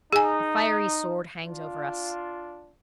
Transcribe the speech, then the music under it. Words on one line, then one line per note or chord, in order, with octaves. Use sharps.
A fiery sword hangs over us.
D#4 G#4 G#5
D4 F4